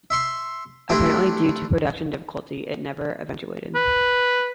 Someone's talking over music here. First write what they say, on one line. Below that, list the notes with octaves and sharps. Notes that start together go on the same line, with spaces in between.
Apparently due to production difficulties, it never eventuated.
E5 C6 C#6
A3 C4 D4 E4 G4
B4